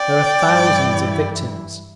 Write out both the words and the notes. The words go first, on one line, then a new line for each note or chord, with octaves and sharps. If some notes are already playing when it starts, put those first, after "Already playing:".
There are thousands of victims.
Already playing: D5 G5
G2 E3 G3 E4